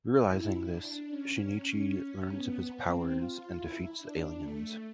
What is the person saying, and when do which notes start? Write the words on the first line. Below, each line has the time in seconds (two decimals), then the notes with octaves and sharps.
Realizing this, Shinichi learns of his powers and defeats the aliens.
0.27 E4
0.68 D4
1.09 C#4
2.33 B3
2.75 C4
3.17 F4
3.58 E4
3.99 D4
4.42 A3